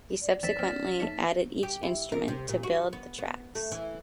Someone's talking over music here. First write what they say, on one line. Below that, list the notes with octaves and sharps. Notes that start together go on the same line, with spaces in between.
He subsequently added each instrument to build the tracks.
D5
D#3 C4 A6 B6 E7
C4 C#4 F6
A3 D#4 C#5
G4
E4
A#4
C3
A#2
F#4
B3
B3
A3
E3